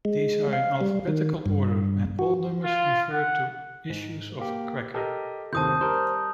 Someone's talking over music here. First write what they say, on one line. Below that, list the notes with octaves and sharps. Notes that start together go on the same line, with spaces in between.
These are in alphabetical order and all numbers refer to issues of "Cracker".
G#3
F5
G3
D#3
G2
F#4
F4
F#5
G#2
A#3 G4
G4 A4 A#4 D#5
F1 D#2 C4 A5 D#6 G6
G3 A#4 C5